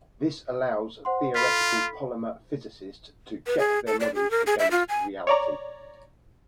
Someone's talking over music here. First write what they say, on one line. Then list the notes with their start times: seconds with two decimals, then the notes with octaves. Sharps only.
This allows theoretical polymer physicists to check their models against reality.
1.05 C5 F#5 C6
1.35 F4 A4 B5 B6
3.47 B4
3.59 G#4
3.87 A4
4.00 D5
4.15 G#4
4.31 A#4
4.47 G#4
4.59 E5
4.71 F4
4.89 G#5
5.27 C#5 D5 A#5